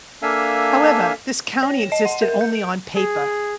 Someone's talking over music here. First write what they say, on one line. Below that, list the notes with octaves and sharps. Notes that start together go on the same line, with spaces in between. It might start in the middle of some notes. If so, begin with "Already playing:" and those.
However, this county existed only on paper.
A#3 D4 A4 E5 F5 G#5
C#5
E7
D#5
F#5
A#4
G6
D7
G#4